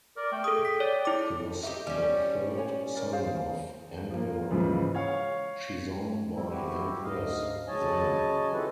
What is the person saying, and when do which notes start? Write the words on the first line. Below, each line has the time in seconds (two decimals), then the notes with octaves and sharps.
He was the third son of Emperor Shizong by Empress Zhen.
0.17 A#4 D5
0.32 A3 G5
0.44 G#4 A4 D#6
0.65 B6
0.80 C#5 D5
1.05 E4 D6
1.63 D#4 F#4 G4 E5
1.87 G3 C#4
2.58 C#5 G#5
2.95 A#4 D5
3.12 G#4 C5 F5
4.11 F3 A#3
4.51 G#2 C#3 E3 F3
4.95 C#5 F5 C#6
6.33 G3 C4 E4
6.50 E4 F#4 G4
7.03 D2 G#2 D#5 F5
7.67 C#3 F#3 C#5 D#5 G#5 A5
8.54 C4 E4 F4 G4 A4 B4